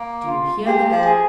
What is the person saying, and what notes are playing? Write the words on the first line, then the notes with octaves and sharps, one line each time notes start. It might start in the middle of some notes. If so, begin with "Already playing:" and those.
Do you hear that?
Already playing: A#3
F4
G#3 G4
F3
G#4